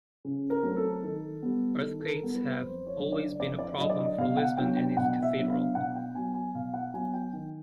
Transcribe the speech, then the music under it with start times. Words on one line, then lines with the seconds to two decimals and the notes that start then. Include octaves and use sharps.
Earthquakes have always been a problem for Lisbon and its cathedral.
0.25 C#3
0.50 A#4
0.63 F#3 A3 C4
0.76 A4
1.03 D#3 A4
1.43 G3 B3
1.81 D#3 A4
2.00 A4
2.08 A#4
2.21 G3 B3
2.35 B4
2.61 F2 C5
2.86 C#5
2.99 D3 F#3
3.12 D5
3.39 F2 D5
3.59 D5
3.78 D3 F#3 D#5
3.90 D5
3.99 D#5
4.18 B2 F5
4.37 F#5
4.57 F#3 B3 D4 G5
4.77 G5
4.97 B2 F#5
5.23 E5
5.36 F#3 B3 D4
5.50 F5
5.75 B2 F#5
5.95 G5
6.14 F#3 B3 G#5
6.34 G#5
6.55 B2 F5
6.74 F#5
6.94 F#3 B3 G#5
7.14 G5
7.33 D#3